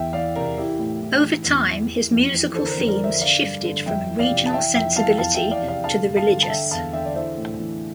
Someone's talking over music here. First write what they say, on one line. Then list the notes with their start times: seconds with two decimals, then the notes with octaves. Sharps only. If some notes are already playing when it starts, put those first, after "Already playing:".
Over time, his musical themes shifted from a regional sensibility to the religious.
Already playing: E2 E3 E5 G5
0.13 E3 D5 F5
0.35 C3 A#4 D5
0.57 E3 E4 G4
0.79 A2
1.01 E3
1.24 E3
1.45 E2
1.67 E3
1.89 E3
2.10 F2
2.32 E3
2.54 D3 A4 C5
2.65 A#4
2.71 A4 C5
2.77 F2
2.87 A#4 D5
2.99 D3 C5 E5
3.21 D3 D5 F5
3.43 G2
3.64 D3
3.86 F2 E5 G5
4.08 E3
4.19 D5 F5
4.30 C3
4.46 A5
4.52 E3 E5 G5
4.74 F2 E5 G5
4.96 E3 F5 A5
5.18 E2 F5 A5
5.35 E5 G5
5.41 E3
5.51 D5 F5
5.62 C3
5.68 D5 F5
5.84 D3 F5 A5
6.06 G2
6.17 F5 A5
6.28 D3
6.42 A5
6.49 D3 E5 G5
6.71 E2 F5 A5
6.93 D3 E5 G5
7.05 D5
7.15 E3 C5 E5
7.37 A2
7.60 E3